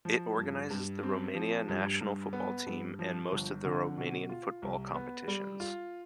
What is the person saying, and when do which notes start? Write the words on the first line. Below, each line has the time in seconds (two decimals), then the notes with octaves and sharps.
It organizes the Romania national football team and most of the Romanian football competitions.
0.05 F3
0.37 G2
0.70 G2
1.03 C4
1.35 F3
1.69 G2
2.01 G2
2.33 B3
2.66 G2
2.99 F3
3.32 G1
3.65 D3
3.97 B2
4.29 F4
4.62 C2
4.94 B3
5.28 G3
5.60 F4